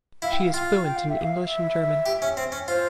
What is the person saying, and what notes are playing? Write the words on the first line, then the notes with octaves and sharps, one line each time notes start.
She is fluent in English and German.
E4 F5
G5
F5
F4
G5
F5
E5
F5
E5
G4
C#4
C4
C#4
F4 C5